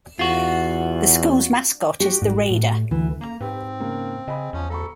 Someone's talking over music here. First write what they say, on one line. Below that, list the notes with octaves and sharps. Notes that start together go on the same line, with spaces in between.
The school's mascot is the Raider.
E2 F4 F#4
F#4 G4
G#1 G#2 F#4
A2
D2 E3
A#3 A#5
G#2 C4 G4 B4
C#3 A#3
C#3 D#5 G#5 B5
E2 F3 C#4
D2 A4 A#5 B5 C#6